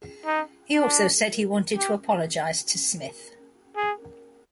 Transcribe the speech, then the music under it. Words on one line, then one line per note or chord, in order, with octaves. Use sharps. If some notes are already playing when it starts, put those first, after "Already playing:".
He also said he wanted to apologize to Smith.
D#4
D4
G4
G#4